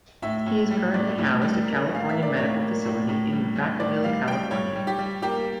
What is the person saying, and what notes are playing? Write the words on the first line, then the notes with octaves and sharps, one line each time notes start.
He is currently housed at California Medical Facility in Vacaville, California.
A2 E5
A2
G3
A2 D5
A2
G3
A#3
A2 F5
A#3 E5
D5
A2 C#5
A#3
A2
A2
G3
G3
A2 D5
G3 F5
G3 G5
G3 C#5
G3
G4
G3
A#3 G4